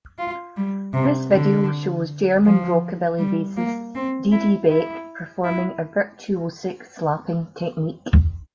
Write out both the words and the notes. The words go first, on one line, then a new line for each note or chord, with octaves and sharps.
This video shows German rockabilly bassist Didi Beck performing a virtuosic slapping technique.
F4
G3
C3
D3
F3
G3
A#3
C4
E4
E4
E4